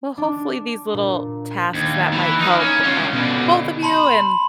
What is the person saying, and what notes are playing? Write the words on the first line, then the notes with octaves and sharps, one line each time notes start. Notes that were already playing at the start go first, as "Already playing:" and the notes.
well, hopefully, these little tasks that might help, um, both of you and
D4
A#2
D#2
E3
D#4 F5
C#4
C#4 F4
B2 D3
A5 B5 C6 F#7